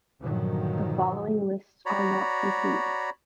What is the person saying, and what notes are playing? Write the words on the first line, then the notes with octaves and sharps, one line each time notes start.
The following lists are not complete.
G2 A#2 D3 D#3 F3 F#3
F#4 C#5 D5 A#5 B5